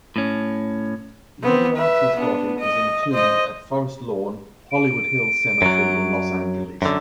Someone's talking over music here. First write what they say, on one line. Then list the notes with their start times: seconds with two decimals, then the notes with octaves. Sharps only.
Liberace's body is entombed at Forest Lawn, Hollywood Hills Cemetery in Los Angeles.
0.16 A2 C#4
1.43 B3 C4
1.76 B4 E5
2.16 B3 D4
2.59 D#5
3.12 C5 D#5
4.71 D7
5.62 F#2 F#3
6.82 F#2 D3